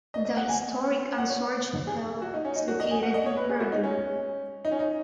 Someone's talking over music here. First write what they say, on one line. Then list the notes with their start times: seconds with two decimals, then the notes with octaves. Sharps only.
The historic Ansorge Hotel is located in Curlew.
0.14 D#5
0.25 D#5
0.37 F#5
0.49 G#5
1.18 F#5
1.30 C#5
1.87 G#4
2.22 F#4
2.34 D#4
2.45 C#4
2.56 D#4
2.68 F#4
2.80 D#5
2.91 G#5
3.03 F#5
3.14 D#5
3.26 C#5
3.37 B4
3.49 G#4
3.60 F#4
3.72 D#4
3.84 C#4
4.65 D#4
4.72 C#4
4.79 D#4